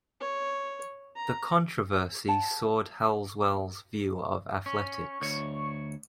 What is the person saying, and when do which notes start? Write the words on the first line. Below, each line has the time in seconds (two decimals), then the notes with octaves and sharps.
The controversy soured Halswelle's view of athletics.
0.20 C#5
1.16 A#5
2.28 C#5 F#5 A5
4.66 C#4 C#6
5.22 D2 C#5